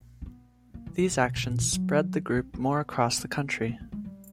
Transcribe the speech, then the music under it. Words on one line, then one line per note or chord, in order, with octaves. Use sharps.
These actions spread the group more across the country.
C4
B3
A#3
E3
D#3
C#3
C3
C3
B2
A#2
E3
F#3
C4
B3
A#3
A#3
G#3
G3